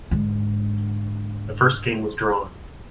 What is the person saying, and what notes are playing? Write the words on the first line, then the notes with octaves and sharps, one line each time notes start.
The first game was drawn.
G#2 D3